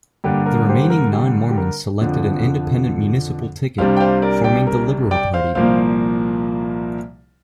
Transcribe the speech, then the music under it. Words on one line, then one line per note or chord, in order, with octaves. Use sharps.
The remaining non-Mormons selected an independent municipal ticket, forming the Liberal Party.
G2 D3 A#3 D4 G4
A#4
G4 C5
A#4
G4
G4
A#4
F2 D3 F3 D4
C2 C3 G3 D4 C5 F5
G5
C5 F5
A#4 D5
D5 G5
A#4
D5 G5
C5 F5
C2 A#2 F3 A#3 C5 F5